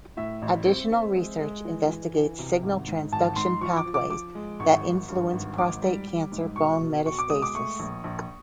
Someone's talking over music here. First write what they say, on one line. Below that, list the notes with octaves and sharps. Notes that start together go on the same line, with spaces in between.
Additional research investigates signal transduction pathways that influence prostate cancer bone metastasis.
A2 E5
A1
C4
C4
G#3
G#3
E3
E3
E3
C3
G#1
G#2
G#1 A5
G#2 C6
F3 C#6
D6
F3
D6
F3 D6
G#3
G#1 C#6
G#1
G2
G#1
G#2 D6
G3
G3
G#2
B2 C#6
B2
B2 C#6
D6
G#3 D#6
D6
A3 C#6
A#1
A#1